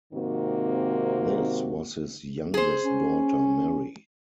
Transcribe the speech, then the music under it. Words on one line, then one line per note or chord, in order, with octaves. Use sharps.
This was his youngest daughter Mary.
G#2 C3 D#3 A#3 C4 F#4
G#4 C5
C#4